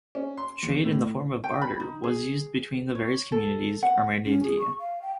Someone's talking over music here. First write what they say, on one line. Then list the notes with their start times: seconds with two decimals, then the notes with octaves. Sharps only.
Trade in the form of barter was in use between the various communities Amerindian.
0.15 C#4
0.37 C6
0.63 E2
0.84 A2
1.44 G5
1.62 B5
1.80 D#4
2.04 G#4
2.95 C#5
3.32 A4
3.83 F#5
4.25 C#4
4.43 G#4
4.59 C#6
4.79 F5
5.02 G5